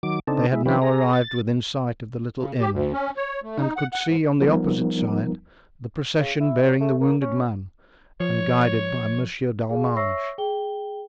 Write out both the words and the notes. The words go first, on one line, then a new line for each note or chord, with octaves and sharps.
They had now arrived within sight of the little inn and could see on the opposite side the procession bearing the wounded man and guided by Monsieur d'Arminges.
D#3 F#3 D6
C#3 C4 D4 D#4 A4
G#3 E4
D#3 F3 C#4 G4 B4
G#4 A#5
A6
C#3
G4
D2
C#4
C#5
A3
D#4
F#5
F#5
G#2
F3 G3 B3 D#4 A#4
C#3
E4
F#3
A3
A#3
C#4
F3 C#5
G#4 F5
C#5 E5 C#6 E6 A#6 C7
G#4 G5 G7